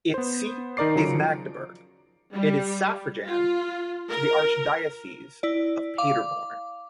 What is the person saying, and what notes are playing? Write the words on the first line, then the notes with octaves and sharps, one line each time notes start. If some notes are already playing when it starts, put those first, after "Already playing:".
Its seat is Magdeburg; it is suffragan to the Archdiocese of Paderborn.
B3 C5
D#3 D#4 A#4 D5 D6 C7
C#3 F#3 F4 A#5 C#7 D7
F3
G3
F4
A#4
E4 D5
F5 D6